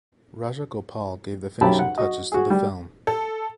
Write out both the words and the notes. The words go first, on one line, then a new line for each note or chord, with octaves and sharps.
Rajagopal gave the finishing touches to the film.
B1 F#2 F#3 G4 A5 B5
F#5
F#4 D#5
F#4 G#4
G3
A4